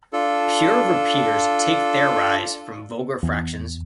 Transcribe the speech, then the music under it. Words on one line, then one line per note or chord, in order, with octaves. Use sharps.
Pure repeaters take their rise from vulgar fractions.
D4 F4 A4
E2